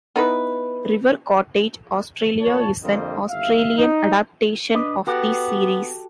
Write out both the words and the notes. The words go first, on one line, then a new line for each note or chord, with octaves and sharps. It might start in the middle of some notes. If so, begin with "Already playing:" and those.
River Cottage Australia is an Australian adaptation of the series.
B3 D#4 E4 B4
A#2 C#5 A5
F2 D3 G3 A#3 C5 D#5
G1 D#2 E5 F5
D#4
D4 B4 D#5
B3 F#4 G4 A4